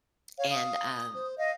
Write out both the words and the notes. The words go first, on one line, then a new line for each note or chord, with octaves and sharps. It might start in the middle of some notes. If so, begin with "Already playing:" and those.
and, um,
C#5 F5
D#6
C5
D#5 F5